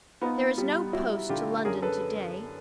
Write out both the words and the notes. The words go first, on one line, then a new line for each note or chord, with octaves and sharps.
There is no post to London to-day.
B3 D#4 F4
G3
G3 E4 F#4
D3 F4 G4
F#2 G#4 A#4
A4 B4